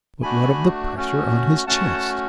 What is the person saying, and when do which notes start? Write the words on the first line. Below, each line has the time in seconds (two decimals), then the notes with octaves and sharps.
But what of the pressure on his chest?
0.23 A3 D4 F#4 G#5 B5
0.95 A3 C#4 F#4
1.67 A3 C#4 F#4 F#5 A5